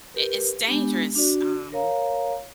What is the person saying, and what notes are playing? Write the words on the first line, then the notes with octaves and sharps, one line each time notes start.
I it's dangerous um,
G4 A#4 B4
G#3 B3 D4 G4
D4 F#4 D5
A#4 C#5 F5 A#5